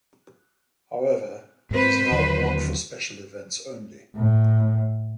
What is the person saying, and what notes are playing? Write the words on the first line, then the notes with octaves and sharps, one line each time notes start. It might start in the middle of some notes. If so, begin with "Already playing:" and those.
However, it is now worn for special events only.
G#2 C4 B4 C5
D#2 D3 F#3
A2